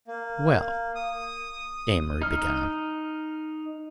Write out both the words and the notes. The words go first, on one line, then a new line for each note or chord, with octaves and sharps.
"Well" Amory began.
A#3
D#6
D#4 F6